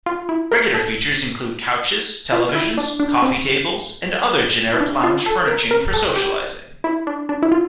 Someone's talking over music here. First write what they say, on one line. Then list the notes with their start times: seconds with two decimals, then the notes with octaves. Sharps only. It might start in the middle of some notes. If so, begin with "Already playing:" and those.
Regular features include couches, televisions, coffee tables, and other generic lounge furniture for socializing.
0.06 F4
0.29 E4
0.52 A#4
0.74 A4
2.32 F4
2.49 F4
2.55 E4
2.77 D4
3.00 D4
3.22 C4
4.73 E4
4.81 D4
5.04 F4
5.26 A4
5.48 A#4
5.71 A#4
5.94 A4
6.16 G4
6.84 E4
7.07 D4
7.29 D4
7.43 E4
7.52 F4